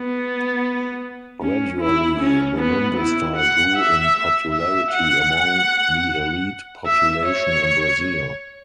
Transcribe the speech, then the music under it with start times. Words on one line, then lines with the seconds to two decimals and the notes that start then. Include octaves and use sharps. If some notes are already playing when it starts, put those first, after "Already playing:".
Gradually, the lundu style grew in popularity among the elite population in Brazil.
Already playing: B3
1.42 C#4
1.81 E4
2.20 C#4
2.59 B3
2.97 E4
3.37 F#5
3.76 E5
4.53 E5
4.91 F#5
6.86 E5
7.26 C#5